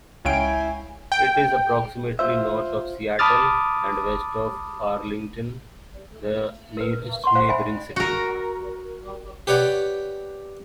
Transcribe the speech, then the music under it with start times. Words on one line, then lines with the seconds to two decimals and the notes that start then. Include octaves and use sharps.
It is approximately north of Seattle, and west of Arlington, the nearest neighboring city.
0.25 C#2 E4 C#5 F5 G5 G#5 D7
1.12 G5
2.19 F4 C5 E5
3.19 A5 B5 D6 D#6 F6 A6
6.77 A#4 B4
7.24 F#5 C6 C#6
7.35 C5 F5 F#5
7.49 C5 E5 F#5 G#5 B5
7.96 F#4 A#4
9.47 G4 B4 C#5 D5 F#5